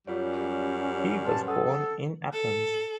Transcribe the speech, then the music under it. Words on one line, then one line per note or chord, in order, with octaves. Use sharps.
He was born in Athens.
F#2 G3 C#4 F4 C#5
B4 A5 C6 F6
A4 F#5 D#6
A4